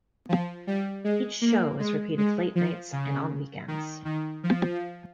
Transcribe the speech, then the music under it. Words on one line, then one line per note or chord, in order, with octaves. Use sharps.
Each show is repeated late nights and on weekends.
F3
G3
G#3
A#3
G#3
G#3
F3
C#3
D#3
D#3
F3